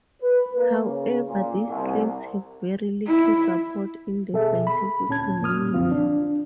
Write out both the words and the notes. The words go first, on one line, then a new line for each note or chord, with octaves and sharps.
However, these claims have very little support in the scientific community.
B4
A#3
C#3
A#2
C2
E4
B2 G#4 A4 E5
B5
D2 A#2 C#4 A5 G#6
F2 A#2 A#3 D#6 F6
C2 F#2 D3 F3 C4 F4
D4